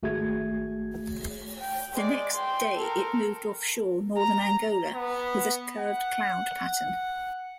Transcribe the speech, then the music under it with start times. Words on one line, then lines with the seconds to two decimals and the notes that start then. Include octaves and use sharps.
The next day it moved offshore northern Angola with a curved cloud pattern.
0.03 G#1 A3 F#4 G#4 G#6
1.61 G5
1.93 G#3 D5
2.34 G5 C6
2.78 A4 A#4
4.17 A#5
4.94 B3
5.79 F#5